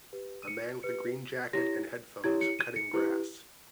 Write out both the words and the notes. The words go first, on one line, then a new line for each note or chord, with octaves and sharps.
A man with a green jacket and headphones cutting grass.
G4 B4
D#7
C#7
G4 B4 C#7
E4 G4 C#5 A#6
E4 G4 C#5 G#6
C#7
D#7
C#7
E4 G4 B4